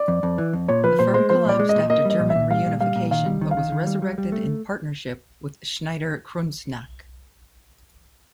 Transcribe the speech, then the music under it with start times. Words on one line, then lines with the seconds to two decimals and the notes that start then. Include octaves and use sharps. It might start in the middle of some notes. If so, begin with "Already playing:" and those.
The firm collapsed after German reunification but was resurrected in partnership with Schneider Kreuznach.
Already playing: D5
0.08 F2
0.23 F2
0.38 E3
0.53 F2
0.68 A#2 C#5
0.84 F3 B4
0.99 A#2 C5
1.14 G#3 C5
1.29 F3 C5
1.45 A#2 D5
1.60 G#3
1.69 D#5
1.75 A#2
1.90 A#3 D#5
2.05 G3 D#5
2.20 A#2
2.30 E5
2.35 A#2
2.51 G3 F5
2.66 A#2
2.81 G3 F5
2.96 A#2
3.11 D#3 F5
3.26 G3
3.41 D#3
3.51 F5
3.57 D#3
3.72 D#3
3.87 G3
4.02 G3
4.18 G3
4.32 A3